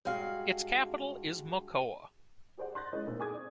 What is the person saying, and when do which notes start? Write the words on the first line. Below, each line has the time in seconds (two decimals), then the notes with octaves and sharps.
Its capital is Mocoa.
0.05 G2 G#3 F#4 F5
2.57 G4 G#4 C5 D5 F#5
2.75 C6 F#6 G6 A6 A#6
2.93 G#3 C#4 E4 C#5 D#5
3.07 A#2 A3 C4 D#4
3.20 G#4 G#5 D6 D#6 G#6
3.34 C4 D5